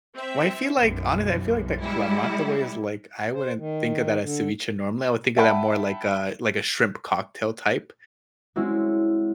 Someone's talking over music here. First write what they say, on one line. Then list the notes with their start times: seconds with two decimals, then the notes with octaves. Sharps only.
Well, I feel like honestly, I feel like the clamato way is, like I wouldn't think of that as ceviche, normally, I would think of that more like a like a shrimp cocktail type,
0.15 C4 E5
0.81 B1 F#2
1.81 G3 G#3 E4
3.34 C5
3.57 D#3
4.22 D3
5.37 E5 F#5 G5 A5 B5
8.56 G#3 C4 C#4 E4 F#4